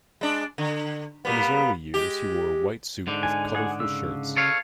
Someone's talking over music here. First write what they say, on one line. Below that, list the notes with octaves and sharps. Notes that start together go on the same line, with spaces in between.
In his early years he wore a white suit with colourful shirts.
G#3 D4
D3
G3 A#3 B3
G#3 G4
G#2 D3
G#5
G#4 F#5
C#3 E6
A4 C#5 F5